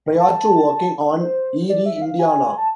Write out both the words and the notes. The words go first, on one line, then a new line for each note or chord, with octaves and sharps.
Prior to working on "Eerie, Indiana".
A5
C5
D5
E5
E5
F5
G#5
A5